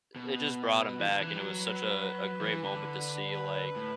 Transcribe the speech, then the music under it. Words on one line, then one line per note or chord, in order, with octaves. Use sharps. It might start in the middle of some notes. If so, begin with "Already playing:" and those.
it just brought him back, and it was such a a great moment to see, like,
B2 B4
E3
D3
E3
F#3
B4
E3
D3
B4
A2